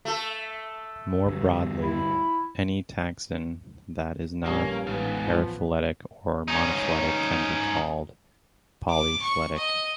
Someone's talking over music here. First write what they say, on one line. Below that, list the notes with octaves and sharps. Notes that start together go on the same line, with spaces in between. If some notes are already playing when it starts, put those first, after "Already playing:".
More broadly, any taxon that is not paraphyletic or monophyletic can be called polyphyletic.
A3 A4
D2 G2
E4
A#1 G2 A#3 C#4
A1 G#2 B3 F5
F3
C#4 D#4
D6
C#6
D#5